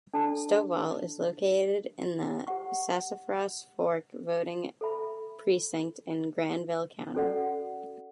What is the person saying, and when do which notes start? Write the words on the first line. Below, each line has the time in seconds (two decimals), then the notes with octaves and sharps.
Stovall is located in the Sassafras Fork voting precinct in Granville County.
0.14 D4 A4 D5 A5
2.47 G4 C#5 F#5 C#6
4.81 A4 E5 B5
7.15 C#4 F#4 A4 D5 F#5